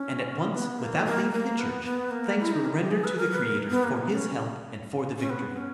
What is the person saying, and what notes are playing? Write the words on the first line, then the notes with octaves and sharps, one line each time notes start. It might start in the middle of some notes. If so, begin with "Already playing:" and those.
And at once, without leaving the church, thanks were rendered to the Creator for His help and for the victory.
Already playing: C#4
B3
A#3
A#3
A#3
B3
B3
A#3
E4
D#4
C#4
G4
G#4
B4
A#4
B4
A#4
B3
A#3
C#4
C#4
B3
C#4